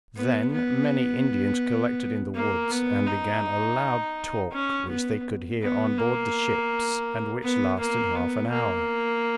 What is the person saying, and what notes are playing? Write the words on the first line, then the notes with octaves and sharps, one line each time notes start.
Then many Indians collected in the woods and began a loud talk which they could hear on board the ships and which lasted half an hour.
B3
B3
A#3
B3
D#4
C#4
B3
B3
A#3
B3
A#3
B3
A#3